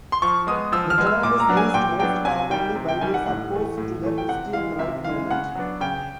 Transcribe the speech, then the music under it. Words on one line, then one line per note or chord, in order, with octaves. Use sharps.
The term is used most commonly by those opposed to the Christian Right movement.
C6
F3 C#6
G#3 B3 D#6
F3 E6
F6
G#3 B3
E6
A#2 D6
A#5
F#3 B3 D4
G#5
A#2 G5
F#3 B3 D4 G5
C3 G#5
D#3 G3 G5
C3
G5
D#3 G3 G#5
F#5
A2 F#5
E3 A3
A2
E3 A3
G5
C3 F#5
E3 G#3 F5
C3 E5
E3 G#3 F5
C#3 F#5
F#3 B3 D4
C#3 G5